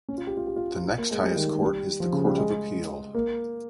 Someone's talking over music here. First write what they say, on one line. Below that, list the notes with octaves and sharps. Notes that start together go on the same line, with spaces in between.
The next highest Court is the Court of Appeal.
C#4
F4
G4
F4
G4
F4
F4
F4
A#3
G#3
G3
D#3
D#3
G3
F3
C#3
G3
G#3
A#3